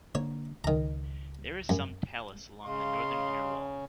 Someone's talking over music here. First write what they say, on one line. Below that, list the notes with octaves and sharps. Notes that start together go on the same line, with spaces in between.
There is some talus along the northern inner wall.
D3 A#3 C#5
C#2 D#3 A#5
F#2
C#3 D#5 F5 C6